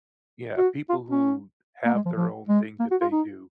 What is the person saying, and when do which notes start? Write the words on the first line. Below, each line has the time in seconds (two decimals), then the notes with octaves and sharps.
Yeah, people who have their own thing that they do,
0.58 F#4
0.89 F4
1.11 C#4
1.85 A#3
1.95 G#3
2.06 F3
2.17 F3
2.49 G#3
2.80 A#3
2.91 F#4
3.01 F4
3.12 D#4